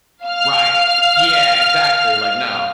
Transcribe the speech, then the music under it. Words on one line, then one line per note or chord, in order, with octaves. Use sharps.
right, yeah, exactly, like, "No."
F5 F6